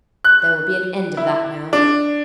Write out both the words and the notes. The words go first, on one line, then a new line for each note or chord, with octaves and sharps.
There will be an end of that now.
F#6
E4
D4